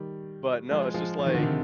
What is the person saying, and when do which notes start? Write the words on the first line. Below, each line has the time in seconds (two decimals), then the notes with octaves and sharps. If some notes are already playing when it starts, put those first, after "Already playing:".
But, no, it's just, like,
Already playing: D#3 G3
0.71 F3 G#3
0.94 F3 G#3
1.19 F3
1.26 D#3
1.34 D3
1.43 C3 D#3